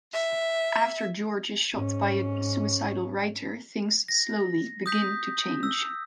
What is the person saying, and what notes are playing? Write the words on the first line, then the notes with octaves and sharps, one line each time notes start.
After George is shot by a suicidal writer, things slowly begin to change.
E5
G#2 C#4
A#6
D#6 G6 B6
E6